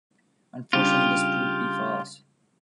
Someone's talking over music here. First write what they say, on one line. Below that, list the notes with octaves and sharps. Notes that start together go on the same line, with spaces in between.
Unfortunately, this proved to be false.
C#3 G3 D4 F4 G4